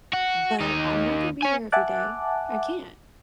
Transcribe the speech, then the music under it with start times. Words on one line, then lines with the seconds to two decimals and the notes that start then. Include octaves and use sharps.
but I'm not going to be here every day. I can't.
0.13 F#4
0.60 D#2 D#4
1.43 C#5 G#5
1.72 E5 F#5 G#5 A5 D6 F#6